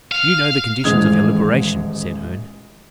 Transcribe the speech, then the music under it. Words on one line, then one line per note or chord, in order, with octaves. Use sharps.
"You know the conditions of your liberation?" said Herne.
F5
D#1 A1 G#3 D#6 G#6 F7